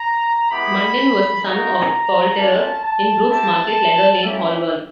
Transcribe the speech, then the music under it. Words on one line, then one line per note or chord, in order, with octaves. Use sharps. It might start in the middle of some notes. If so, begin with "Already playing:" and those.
Munden was the son of a poulterer in Brook's Market, Leather Lane, Holborn.
Already playing: A#5
G#3 B3 E4 G4 B5
A#3 D#4 F#4 A#5
A#3 C#4 F4 A5
A5
C4 E4 G4 A5
A#3 C#4 E4 G4 E5